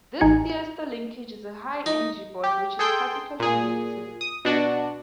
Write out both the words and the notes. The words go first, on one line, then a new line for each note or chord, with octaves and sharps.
This thioester linkage is a "high energy" bond, which is particularly reactive.
A1 D#4 G#5 G#6 C#7
D#4
G4
G#4 A4 G5 C6 G6
A#2 G#4
D#6
B2 D4 F#4